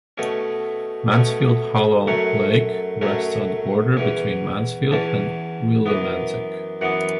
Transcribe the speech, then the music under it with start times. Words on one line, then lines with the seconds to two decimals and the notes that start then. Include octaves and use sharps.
Mansfield Hollow Lake rests on the border between Mansfield and Willimantic.
0.18 B2 A3 C#4
1.12 B2 A3 C#4
2.07 F#2 F#3 A3 C#4 F#5
3.01 F#2 F#3 A3 C#4
3.97 E2 E3 C#4
4.92 E2 E3 C#4 A5
5.86 F#2 E3 B3
6.81 F#2 E3 B3 F#5